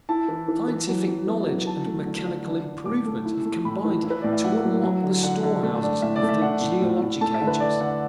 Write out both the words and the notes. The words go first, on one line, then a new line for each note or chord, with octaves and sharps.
Scientific knowledge and mechanical improvement have combined to unlock the storehouses of the geologic ages.
E4 A5
E3
E3
E3
F#3
F#3
B3
F#3
E4 A5
A3
D3
D3
D4
D4
A2 D6
A3
E4
A3
A2 B5
E3
E4
B4
A2 D5
E5
E4 F#5
F#3
F#3
D3
D3 F#5
D3
A3
D4
A2 E5
D5
A3
E5
D4 F#5
A2
A2
A2
A3 A5
E5
D3
B4
D3 D5
D3 F#5